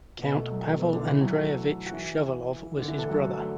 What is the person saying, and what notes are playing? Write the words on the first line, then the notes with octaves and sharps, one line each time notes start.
Count Pavel Andreyevich Shuvalov was his brother.
B2 B3
A3
F#3
A3
B2 B3
D3 D4
E3 E4
F#3 F#4
A3 A4
F#4
E3 E4
D3 D4
E3 E4
A3 A4
F#3 F#4
F#3
A3